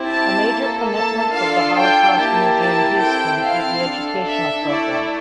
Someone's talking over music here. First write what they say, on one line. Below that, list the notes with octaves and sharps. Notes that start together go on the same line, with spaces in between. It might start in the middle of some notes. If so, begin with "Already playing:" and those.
A major commitment of the Holocaust Museum Houston is the educational program.
Already playing: C4 E4 G4
A5
A#3 E4 A4
A5
D4 F4 A4 F5
G5
A#3 E4 G4 A5
A5
C4 E4 A4 G5
F5
D4 A4
E5
A3 E4 A4 D5